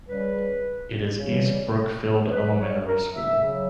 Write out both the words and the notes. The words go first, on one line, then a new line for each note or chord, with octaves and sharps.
It is East Brookfield Elementary School.
C#3 G3 B4
C#3 E3 G3
B2 F#3 B4
C#5
A#4
E5
C#3
F#3